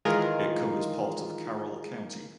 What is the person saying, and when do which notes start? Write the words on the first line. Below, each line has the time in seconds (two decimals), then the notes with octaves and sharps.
It covers part of Carroll County.
0.05 D#3 E3 G#3 F4 G#4 A#4